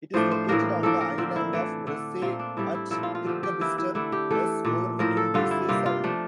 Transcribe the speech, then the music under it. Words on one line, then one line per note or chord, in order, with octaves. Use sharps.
It is located on the island of Bressay at Kirkabister Ness overlooking Bressay Sound.
A2 F3 A3 D4 C5
C5
A2 E3 A#3 D4 A#4
A2 F3 A#3 D4 A4
A#4
D3 F3 C4
E4
E3 A3 D4
D3 A3 D4
A#2 A3 C4 F4
D4
A2 G3 D4 E4
E4
A#2 F3 A3 C4 E4
F4
F4
D3 F3 C4 G4
G4
E3 A#3 D4 E4
E4
D3 A3 D4 E4
G4
E3 A3 D4 A4
A#2 A3 D4
A2 F3 C4 A#4
A4
G2 D3 G3 F4
E4
C3 G3 A#3 F4
F4
F3 A3 D4